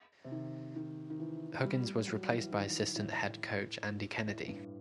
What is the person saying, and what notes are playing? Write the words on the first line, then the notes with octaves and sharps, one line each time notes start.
Huggins was replaced by assistant head coach Andy Kennedy.
C3
D#3
D#3
D#3
E3
G3
G3
F#3
E3
D#3
A2
A2
G2